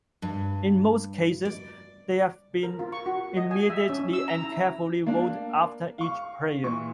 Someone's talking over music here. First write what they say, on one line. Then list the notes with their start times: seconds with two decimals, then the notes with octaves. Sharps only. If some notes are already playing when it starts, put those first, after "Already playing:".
In most cases, they have been immediately and carefully rolled after each prayer.
0.22 G2
1.45 D5
2.63 A#4
2.79 F4
2.92 C#6
3.06 F#4
3.37 D#5
3.51 G#5
3.70 E5
3.89 C#4
4.13 E6
4.28 A#5
4.43 E4
5.07 A#3 D4
5.98 F5 C#6
6.63 A#2 E3 C#6